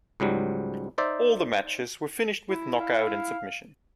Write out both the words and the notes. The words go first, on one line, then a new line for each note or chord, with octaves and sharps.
All the matches were finished with knockout and submission.
C#2 G#2 F#3 G3
D#4 C5 D5 E5
E4
F5